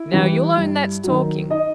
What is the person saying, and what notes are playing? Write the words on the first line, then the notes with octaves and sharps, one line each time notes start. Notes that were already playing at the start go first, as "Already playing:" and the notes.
Now, you'll own that's talking.
Already playing: E4
E3 G3
G2
D#3 F#3
D#4 D#5